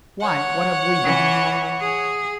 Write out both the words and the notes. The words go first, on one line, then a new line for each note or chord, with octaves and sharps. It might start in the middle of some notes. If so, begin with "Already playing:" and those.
"Why, what have we done?"
C#5 F#5
E3
G#4